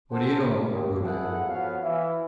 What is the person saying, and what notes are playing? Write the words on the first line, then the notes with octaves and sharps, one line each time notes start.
"What do you know about Rodin?"
A4 C5 F#5 G#5 A5
A#2
D#2
G#1 E2 E4 G#4 A4 F#5
F3 B3 F#4 A4 C#5 F5
E3 E4